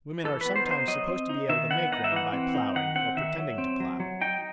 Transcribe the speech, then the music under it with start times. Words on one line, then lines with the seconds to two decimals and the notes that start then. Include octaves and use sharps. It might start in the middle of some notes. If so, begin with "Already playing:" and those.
Women are sometimes supposed to be able to make rain by ploughing, or pretending to plough.
0.24 E3 A4
0.41 B3 B4
0.56 C5
0.66 D#4 C5
0.88 F#3 D#5
1.08 C4
1.29 D#4
1.49 D#3 E5
1.71 B3 F#5
1.92 D#4 F#5
2.04 E5
2.12 E3 F#5
2.33 C4
2.54 D#4
2.76 D#3 F#5
2.96 C4 F#5
3.17 D#3 E5
3.38 F#3
3.58 C4
3.80 F#3
4.00 F#3
4.21 D#4 G5